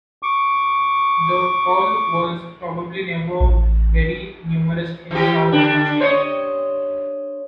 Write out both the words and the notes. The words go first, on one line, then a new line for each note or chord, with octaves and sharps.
The quoll was probably never very numerous in South Australia.
C#6 D6
A1
E3 G4
D3 D4
C5 C#5 D#5